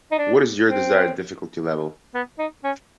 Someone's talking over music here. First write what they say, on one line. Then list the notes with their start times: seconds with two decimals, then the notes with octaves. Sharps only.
What is your desired difficulty level?
0.12 D#4
0.18 D4
0.67 C4
2.14 B3
2.39 D#4
2.64 C#4